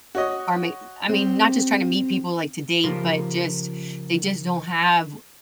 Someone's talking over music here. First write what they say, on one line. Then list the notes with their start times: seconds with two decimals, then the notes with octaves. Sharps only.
are mee I mean, not just trying to meet people, like, to date, but just they just don't have,
0.15 F#4 C#5 D#5
1.09 C4 G4
2.84 C#3 F3 F4 G4 A#4 C5